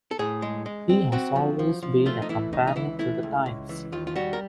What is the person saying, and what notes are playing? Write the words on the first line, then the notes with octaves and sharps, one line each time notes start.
He has always been a companion to the times.
A4
A2 G#4
G#3
G#3
C4
C4 F#4
F3
F3
F3
A3 F4
D#4
E3 E4
C#2 D#4
D#4
E3 E4
A3 E4
C#2
C#2
E3
D#2 F4
F4
G3 F#4
A#4